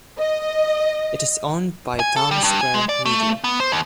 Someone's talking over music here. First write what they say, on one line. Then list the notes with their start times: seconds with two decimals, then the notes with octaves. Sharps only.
It is owned by Townsquare Media.
0.19 D#5
2.00 G#5
2.16 A4
2.31 G3
2.44 G2
2.61 G#5
2.74 G#3
2.89 D5
3.06 A3
3.44 B3
3.60 C5
3.72 D#2